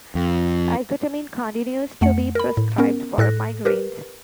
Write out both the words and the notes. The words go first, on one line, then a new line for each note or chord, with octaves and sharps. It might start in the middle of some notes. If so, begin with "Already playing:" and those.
Ergotamine continues to be prescribed for migraines.
F2
F2 A3 F#5 C#7
A#4 B5
A2
B3 C#4 A#4
A2 A4 F#6 A#6
G4 A#4 B4